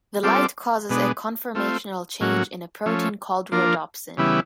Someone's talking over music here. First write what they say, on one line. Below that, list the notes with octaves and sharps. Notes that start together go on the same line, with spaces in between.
The light causes a conformational change in a protein called rhodopsin.
G3 C4 F4 A4 D5
B2 G#3 B3 D4
A3 C4 F4
A2 F#3 A#3 C#4 F#4
F3 A3 C#4
F3 A#3 D4 F4 A#4
C#3 E3 G3 B3 E4